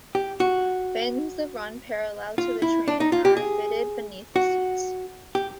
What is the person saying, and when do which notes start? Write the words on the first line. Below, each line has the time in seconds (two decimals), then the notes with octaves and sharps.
Fins that run parallel to the train are fitted beneath the seats.
0.15 G4
0.40 F#4
2.38 F4
2.62 E4
2.88 D4
3.00 D#4
3.12 F4
3.25 G4
3.37 G#4
4.36 F#4
5.35 G4